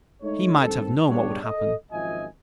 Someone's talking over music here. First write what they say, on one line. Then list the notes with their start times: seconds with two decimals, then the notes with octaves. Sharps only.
He might have known what would happen.
0.22 G#3 A3 D#4 C#5
0.60 G2 D#3 C4 A4
1.08 G3 G#3 B3 D4 G4 C#5
1.44 A4 D#5
1.91 G#1 F#2 F3 D#5 E5 G#5